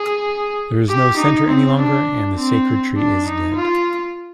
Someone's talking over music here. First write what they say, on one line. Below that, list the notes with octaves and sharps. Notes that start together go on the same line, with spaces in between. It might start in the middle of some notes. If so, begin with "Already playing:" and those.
There is no center any longer, and the sacred tree is dead.
Already playing: G#4
G4
D#4
C4
D4
C4
D4
D#4
F4